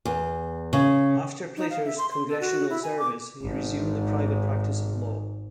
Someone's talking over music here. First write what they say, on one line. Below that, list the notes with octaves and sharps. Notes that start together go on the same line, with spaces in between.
After Plater's congressional service he resumed the private practice of law.
E2
C#3
D#4
F5
E5
C6
C6
A4
F#4
E4
G#5
D6
G#1 G#2